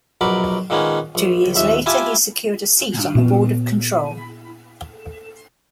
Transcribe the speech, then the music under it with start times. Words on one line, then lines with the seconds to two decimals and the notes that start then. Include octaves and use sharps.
Two years later, he secured a seat on the Board of Control.
0.21 A#1 B2 F#3 A#4 B5 D6
0.70 A#2 D#3 G#3 A#3 B3 C#4
1.15 A#1
1.55 A#1 D#2 E5
1.86 E4 F4 G4 G#5 A5
3.15 A#2 B3